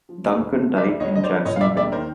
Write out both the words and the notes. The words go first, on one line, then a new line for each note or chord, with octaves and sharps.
Duncan died in Jacksonville.
F3
D2
D2
D3
F3
D5 E5
D2
D2 C#5 D#5
D3 D#5
C5 D5
F3
E1 C#5 D#5
F5
E1 D5 E5
D#2 D5 E5
D#3 A#4 C5